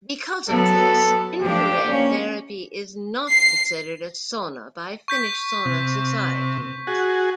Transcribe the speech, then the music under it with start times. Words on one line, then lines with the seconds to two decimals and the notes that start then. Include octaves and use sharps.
Because of this, infrared therapy is not considered a sauna by Finnish sauna societies.
0.49 F#3 B3 A4
1.41 F3 A3 D4 G4
1.86 A#3 C#4
3.29 C7
5.08 C#6 G6 B6
5.65 C3
6.87 F#4 G#4